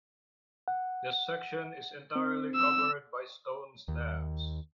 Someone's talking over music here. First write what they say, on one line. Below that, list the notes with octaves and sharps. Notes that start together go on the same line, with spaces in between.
This section is entirely covered by stone slabs.
F#5
C4
E6
D#2